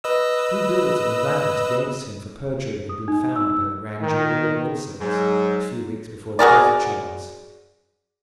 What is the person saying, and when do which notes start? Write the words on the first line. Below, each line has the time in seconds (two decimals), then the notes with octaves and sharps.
Two bills of indictment against him for perjury had been found by the grand jury of Middlesex, a few weeks before the death of Charles.
0.04 B4 D#5 E6
2.89 D#6
3.08 D#4
3.36 E6
4.02 D#3
5.00 G#2 F#3
6.39 F#4 G#4 A#4 D5